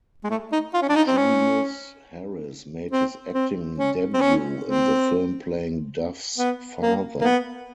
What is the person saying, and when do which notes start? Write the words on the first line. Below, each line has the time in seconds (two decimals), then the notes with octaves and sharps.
Julius Harris made his acting debut in the film playing Duff's father.
0.24 G#3
0.30 A3
0.52 D#4
0.74 F4
0.82 C#4
0.89 D4
0.96 D#4
1.07 C4
1.17 C#4
2.91 C4
3.34 C4
3.78 C#4
4.13 C4
4.21 C#4
4.64 C4
6.38 B3
6.81 A#3
7.21 A#3
7.24 B3